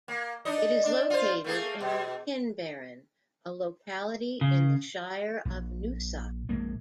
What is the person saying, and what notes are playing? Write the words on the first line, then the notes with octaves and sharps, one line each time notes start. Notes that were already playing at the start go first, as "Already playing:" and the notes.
It is located in the Pinbarren, a locality in the Shire of Noosa.
A#3
D4 D#4 D#5
D4
F4 C5
A3 A#3 G#4
B2
C#3
A#1
A#1 G#3 A#3